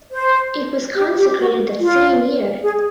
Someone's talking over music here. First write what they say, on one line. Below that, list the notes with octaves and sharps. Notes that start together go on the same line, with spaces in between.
It was consecrated that same year.
C5
G4
G4
F#4
F4
G#4